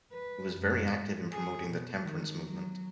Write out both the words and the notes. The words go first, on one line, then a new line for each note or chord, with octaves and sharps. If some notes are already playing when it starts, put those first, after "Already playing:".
He was very active in promoting the temperance movement.
B4
F#2
A2
G#4
B2
D#3
F#3